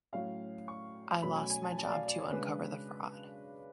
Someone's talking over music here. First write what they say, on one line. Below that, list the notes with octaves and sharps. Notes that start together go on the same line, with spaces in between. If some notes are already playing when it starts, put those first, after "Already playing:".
I lost my job to uncover the fraud.
A2 F#3 C#4 F5
C#6
B2 F#3 A3 C#4 B5
G#5
G#5
A5
A5
D5
F5
D5
C#5
C#3 G#3 D4 B4